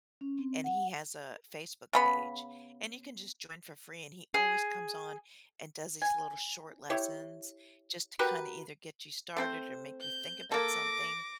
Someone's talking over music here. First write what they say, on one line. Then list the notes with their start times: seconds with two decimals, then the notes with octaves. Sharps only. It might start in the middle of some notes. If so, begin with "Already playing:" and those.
and he has a Facebook page, and you can just join for free, and he always comes on and does these little short lessons, just to kinda either get you started, or make you think about something.
0.21 C#4
0.39 C4
0.64 F#5
1.93 C#3 B3 B5
4.34 G#4
6.02 G#5
6.90 E4 G4 C#5
8.19 F#4 G4 A#4 B4
9.36 A3 C4 C5
10.01 G6
10.52 A#3 A4 D6 A#6